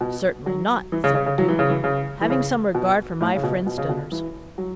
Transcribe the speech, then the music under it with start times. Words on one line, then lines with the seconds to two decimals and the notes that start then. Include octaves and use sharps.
"Certainly not," said the Duke, "having some regard for my friends' dinners."
0.01 B2
0.46 F#3
0.92 E3
1.04 C#3
1.15 C#3
1.26 C#3
1.38 F#3
1.48 E3
1.59 C#3
1.70 E3
1.84 C#3
2.21 E3
2.30 C#3
2.75 B2
3.21 A2
3.36 C#3
3.43 B2
3.67 B2
3.78 C#3
3.89 B2
4.12 E3
4.58 F#3